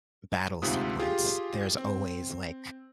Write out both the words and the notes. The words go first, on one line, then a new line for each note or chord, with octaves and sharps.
battle sequence, there's always, like,
D2 G#2 C3 F4 D#6
F4 G4 G#4
C4